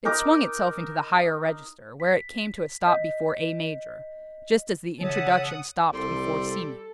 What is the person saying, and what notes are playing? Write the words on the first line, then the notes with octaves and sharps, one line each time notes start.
It swung itself into the higher register, where it came to a stop before A major, just as the introduction stopped before C major.
D#4 A#4 D6
B6
D#5 G6 B6
C#3 C#5 E5 F#5 A5 D#6
C2 G3 A4 C6